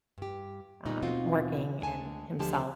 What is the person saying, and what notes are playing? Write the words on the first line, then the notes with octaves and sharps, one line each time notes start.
um, working and himself.
G2 G4
A#2 G3 B3 D#4
D#2 B2 C4 D#4 F4 F#4
D2 D3 G#3 G#5 A5
D2 D3 F3 G#3 G4 A5